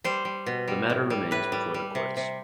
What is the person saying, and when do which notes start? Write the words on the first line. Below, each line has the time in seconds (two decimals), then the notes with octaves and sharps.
The matter remains before the courts.
0.04 G3 C5
0.25 G3
0.46 B2
0.68 G3
0.90 A2
1.10 G3
1.31 A2 B4
1.52 G3
1.74 G3
1.95 C3
2.17 C3